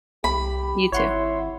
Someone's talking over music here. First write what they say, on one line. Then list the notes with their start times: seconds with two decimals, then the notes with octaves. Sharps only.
You too.
0.24 C2 G4 B5
0.92 G#1 E4 C#5 F#5 C6